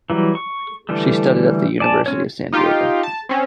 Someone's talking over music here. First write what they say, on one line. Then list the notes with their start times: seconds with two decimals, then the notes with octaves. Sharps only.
She studied at the University of San Diego.
0.10 E3 F#3 G3
0.35 C#6
0.89 D3 E3 G3 A3
1.80 D5 G#5 A5
2.06 C4 C#4 C#5
2.53 D#4 F4 G4
3.03 A5
3.29 C4 C#4